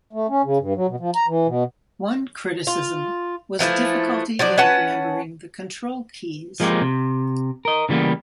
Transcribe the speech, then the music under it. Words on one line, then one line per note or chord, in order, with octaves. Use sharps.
One criticism was difficulty in remembering the control keys.
A3
C#4
C#3
G2
F#3
B2
F3
A#5
E3
B2
F4
E3 F3 A3 E4
F3 F#3 D4 D5
C#4 B4 F#5 A5
F3 G#3 A#3 C4 G4
C3
A#4 D#5
C#3 E3 G3 A#3 B3